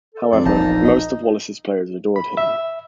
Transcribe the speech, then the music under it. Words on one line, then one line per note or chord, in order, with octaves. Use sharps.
However, most of Wallace's players adored him.
A4
F2 D5
E1 A#1 A#3 D#4 A5
D#5
B5
E5